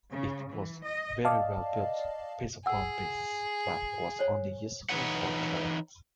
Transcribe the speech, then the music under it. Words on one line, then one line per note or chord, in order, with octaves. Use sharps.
It was very well built, piece upon piece, but was only useful for trade.
C#3
E3
D#5
D5 D#5 F5 A5
G#4 F#5 E6
C5 C#5 G#5
E3 D#4 B4 C#5 F#5